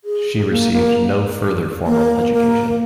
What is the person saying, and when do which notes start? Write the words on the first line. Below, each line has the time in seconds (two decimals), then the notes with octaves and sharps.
She received no further formal education.
0.04 G#4
0.50 A#3
0.73 A#3
1.86 A#3
2.33 A#3